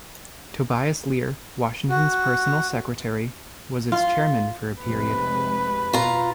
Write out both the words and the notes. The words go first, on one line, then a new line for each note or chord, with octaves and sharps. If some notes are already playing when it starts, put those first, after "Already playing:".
Tobias Lear, Washington's personal secretary, was its chairman for a period.
F#4
F4
F1 C3 G#3 B4
B2 F4 A#5